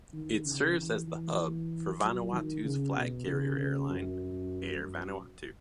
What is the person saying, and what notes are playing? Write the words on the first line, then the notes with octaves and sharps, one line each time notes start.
It serves as the hub for Vanuatu's flag carrier airline, Air Vanuatu.
D#3
C#3
E3
E3
F#3
D#3
C#3
B2
C#3
C#3
F#2
F#2